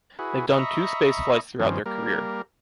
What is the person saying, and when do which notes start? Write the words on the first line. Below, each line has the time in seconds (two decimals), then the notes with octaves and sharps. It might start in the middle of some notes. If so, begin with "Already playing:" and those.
They’ve done two space flights throughout their career.
0.19 E4 F#4 G#4 B4
0.51 D#5 E5 A#5 B5 C#6
1.60 G2 D#3 F3 C4 C#4
1.86 G3 A#3 A#4